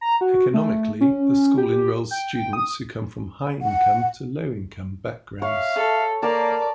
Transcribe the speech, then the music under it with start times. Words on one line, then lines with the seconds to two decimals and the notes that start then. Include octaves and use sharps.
Economically, the school enrolls students who come from high-income to low-income backgrounds.
0.01 A#5
0.21 F#4
0.54 A3
1.01 C#4
1.58 G4
2.11 G5
2.53 D#6
3.62 F#5
5.42 C#5 E5 F5
5.76 A4
6.23 A#3 A#4 D5 A5 A#5